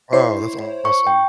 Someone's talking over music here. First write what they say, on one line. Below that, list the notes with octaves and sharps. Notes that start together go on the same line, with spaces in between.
Oh, that's awesome.
E4 C5 C#5 C7
C#6
G5